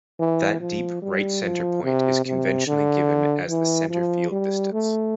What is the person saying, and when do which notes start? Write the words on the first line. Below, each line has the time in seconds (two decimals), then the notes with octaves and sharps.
That deep right-center point is conventionally given as the center field distance.
0.19 E3
0.60 F3
1.02 G3
1.42 F3
1.84 C3
2.25 C3
2.67 D3
3.48 E3
3.90 F3
4.31 G3
4.73 A3